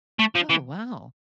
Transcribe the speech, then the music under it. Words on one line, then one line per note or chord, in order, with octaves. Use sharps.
Oh, wow.
A3
F3
E3